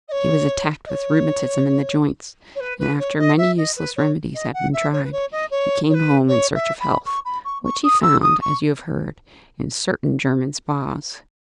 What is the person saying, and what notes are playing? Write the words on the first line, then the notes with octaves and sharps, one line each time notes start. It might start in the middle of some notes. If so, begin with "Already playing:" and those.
He was attacked with rheumatism in the joints; and after many useless remedies had been tried, he came home in search of health, which he found, as you have heard, in certain German spas.
D#5
C#5
D#5
C#5
C#5
B4
B4
C#5
D#5
E5
D#5
B4
C#5
D#5
F#5
E5
C#5
B4
C#5
D#5
C#5
C#5
B4
C#5
E5
B5
C#6
B5
C#6
C#6
D#6
E6
D#6
C#6